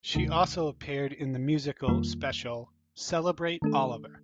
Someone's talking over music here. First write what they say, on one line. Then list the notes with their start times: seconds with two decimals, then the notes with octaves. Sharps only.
She also appeared in the musical special Celebrate Oliver!
0.15 D2 C3 D#3 A3 D#4
1.88 F2 D#3 G3 A#3 F4
3.62 D#3 A3 D4 A4